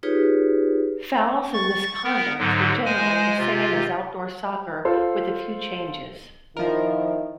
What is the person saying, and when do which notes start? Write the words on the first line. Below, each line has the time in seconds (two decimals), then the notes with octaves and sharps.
Fouls and misconducts were generally the same as outdoor soccer with a few changes.
0.03 D#4 F4 G4 G#4 B4 C#5
1.54 C#6 A6
2.04 B3 A#4
2.39 G#2 D3 F#3
2.85 G#3 C5 G#5
3.38 C3 F4
4.85 F4 A4 C5
6.57 D#3 F3 E4 A#4